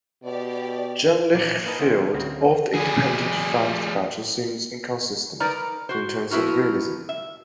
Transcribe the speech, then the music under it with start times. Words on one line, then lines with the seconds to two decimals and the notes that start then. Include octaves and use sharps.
John Lichfield of the "Independent" found the battle scenes inconsistent in terms of realism.
0.24 B2 G4 D5
1.35 A#2 E3 D4 D5
1.66 A#3 D#4 B4 D#5 G#5 A5
1.80 E3 B3 C#4 C5 E5
2.14 D2 C#3 A#3 C4
2.74 G3 G#4
5.40 D#4 A#4 B4 D5 A#5
5.89 F#4 C5
6.31 F3 B3 E4 F#4 A#4
7.09 E5